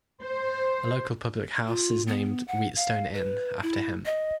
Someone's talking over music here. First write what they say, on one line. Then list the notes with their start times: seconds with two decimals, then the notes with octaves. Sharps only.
A local public house is named The Wheatstone Inn after him.
0.23 C5
1.68 F4
2.07 B3
2.48 F#5
2.77 F5
3.14 B4
3.62 E4
4.05 D#5